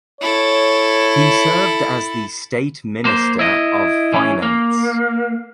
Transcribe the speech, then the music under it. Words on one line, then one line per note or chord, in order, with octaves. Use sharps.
He served as the State Minister of Finance.
E4 A4 C#5
A#3 C5
E4 D#5
E3 C#4
A#3